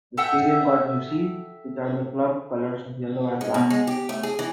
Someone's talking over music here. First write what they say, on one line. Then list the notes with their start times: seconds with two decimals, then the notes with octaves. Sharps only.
The stadium got new seats, which are the club colors of yellow and black.
0.17 A4 E5 F#5 G5
3.41 G#3
3.54 B2
3.70 G#3
3.87 G4
4.09 A3
4.23 G#4
4.39 E3